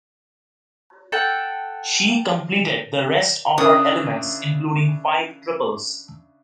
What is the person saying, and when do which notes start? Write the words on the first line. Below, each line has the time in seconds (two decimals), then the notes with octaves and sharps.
She completed the rest of her elements, including five triples.
1.12 A4 F#5 G5
3.58 C#3 D4 E4 A#4 C#5 D#6